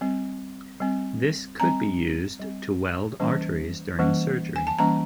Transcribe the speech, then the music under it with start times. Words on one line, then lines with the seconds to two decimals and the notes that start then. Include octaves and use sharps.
This could be used to weld arteries during surgery.
0.01 G3 C4
0.80 G3 C4
1.60 G3 C4 A#5
2.39 G3 C4
3.20 E3 G3 A#3 C#4
3.99 E3 G3 A#3 C#4
4.56 G#5
4.67 A5
4.79 E3 G3 A#3 C#4 A#5